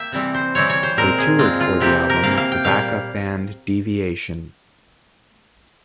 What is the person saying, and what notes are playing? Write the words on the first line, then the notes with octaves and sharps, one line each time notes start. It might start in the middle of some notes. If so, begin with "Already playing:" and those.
They toured for the album with the backup band Deviation.
Already playing: A#3 E5 G5
C3 E3 G3 C4
C5
C3 E3 G3 C4 C#5
C#5
C5
A#2 G#3 C4 A#4
G#4
A#2 G#3 C4 F4
F4
C3 E3 A#3 G4
A#4
C3 E3 A#3 F5
F5
G5
A#2 G3 A#3 F5